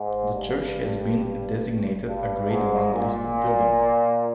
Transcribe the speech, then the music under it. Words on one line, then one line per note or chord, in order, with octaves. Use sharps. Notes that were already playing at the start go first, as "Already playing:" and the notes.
The church has been designated a Grade One listed building.
Already playing: G#2
G2
G2
G#2
A#2